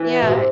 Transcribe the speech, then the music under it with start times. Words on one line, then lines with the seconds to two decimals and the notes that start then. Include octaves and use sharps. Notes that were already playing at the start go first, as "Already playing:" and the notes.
Yeah, eh
Already playing: E3
0.22 B2
0.31 C3